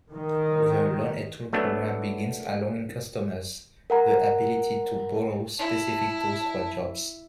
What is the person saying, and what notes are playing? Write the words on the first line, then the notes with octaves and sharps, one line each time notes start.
The Loan-A-Tool program begins allowing customers the ability to borrow specific tools for jobs.
D#3
F#3 A3 B3 D4
A#4 F#5 A#5
E4 A5